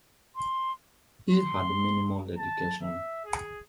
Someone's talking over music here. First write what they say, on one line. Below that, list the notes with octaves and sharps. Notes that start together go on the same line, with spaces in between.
He had minimal education.
C6
C6
A5
E5
G#4